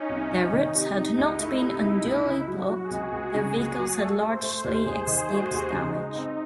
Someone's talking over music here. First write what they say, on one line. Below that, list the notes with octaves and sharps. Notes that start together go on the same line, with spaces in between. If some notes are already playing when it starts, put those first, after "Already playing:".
Their routes had not been unduly blocked; their vehicles had largely escaped damage.
Already playing: C#4 D#4
C2
C2
D#3 D#4
C3
C3 D#4
C#2
A3 E4
C3
C#2
C#2
C#3 E4
F#3
F#4
F#3
G#4
C#2
C#2
C#3
C#2
F#3
A3 A4
A3
C5
A3
C5
D#2
D#2 G#4
D#3
A3 F#4
D#2
C#3 D#4
G#3
C4 D#4